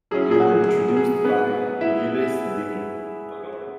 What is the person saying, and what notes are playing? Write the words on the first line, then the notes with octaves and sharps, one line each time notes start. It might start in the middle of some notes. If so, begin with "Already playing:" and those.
They were introduced by Ulisse Dini.
F#3 C#4 E4 G#4
G#4
F#4
G#4
G#4
B3 B4
E4 E5